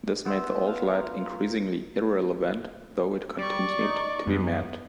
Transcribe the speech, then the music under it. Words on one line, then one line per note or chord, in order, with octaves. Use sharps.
This made the old light increasingly irrelevant, though it continued to be manned.
B3 C5 E5
B2 C5 F5
F4 A#4
G3 D5 C#6
D#4
F#2 B3